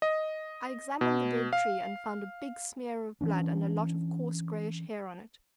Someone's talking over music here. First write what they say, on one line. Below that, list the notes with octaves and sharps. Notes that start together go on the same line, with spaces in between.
I examined the dead tree and found a big smear of blood and a lot of coarse greyish hair on it.
D#5
B2
F5
E3 C#4 D4